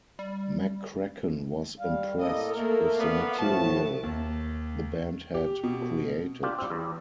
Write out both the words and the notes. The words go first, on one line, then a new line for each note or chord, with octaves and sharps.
McCracken was impressed with the material the band had created.
G3
G3 F5
A2 A#3 A4 D#5
A3 A#3 A4 A#4
B3 D5 F5
A2 F3 A3 F#4 A5
D#2
G4
B2
D4 F4 G4
G3 C4
E2